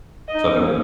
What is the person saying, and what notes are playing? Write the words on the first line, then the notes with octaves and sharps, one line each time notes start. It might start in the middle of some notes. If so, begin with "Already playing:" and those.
so I feel like
D#5
D#4
C#4
B3
A#3